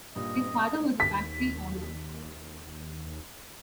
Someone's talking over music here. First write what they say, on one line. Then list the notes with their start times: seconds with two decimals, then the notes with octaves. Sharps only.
His father was a factory owner.
0.16 G2 A#2 D#5
1.00 D#2 B6